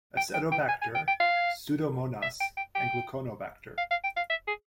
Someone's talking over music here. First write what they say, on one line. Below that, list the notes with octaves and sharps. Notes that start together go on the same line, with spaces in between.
"Acetobacter", "Pseudomonas" and "Gluconobacter".
G5
G5
G5
G#5
G#5
G5
G5
F5
E5
G5
G5
G5
F5
F5
G5
F5
E5
G#4